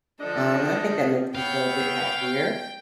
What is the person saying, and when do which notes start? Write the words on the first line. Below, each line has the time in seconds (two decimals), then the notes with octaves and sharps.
um, and I think that makes me feel a bit happier,
0.20 D3 F3 D4 A4 D#5
1.35 B3 E4 C#5 F5 G5